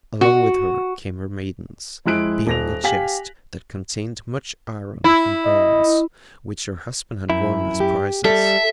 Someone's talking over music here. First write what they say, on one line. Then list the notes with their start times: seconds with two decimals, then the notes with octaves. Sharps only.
Along with her came her maidens, bearing a chest that contained much iron and bronze which her husband had won as prizes.
0.21 F#4
2.06 F2 G#3 E4 F#6 D7
2.47 D#1 A#6 F7
2.84 G4 F5 G#5 B6 F#7
5.04 E4
5.46 D#5
7.30 F#2 E4
7.80 G4
8.25 G3 A4 E5